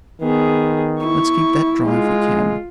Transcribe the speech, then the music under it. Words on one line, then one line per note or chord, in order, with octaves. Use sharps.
Let's keep that dry if we can.
D#3 B3 G#4
E4 C#6
G#3 F4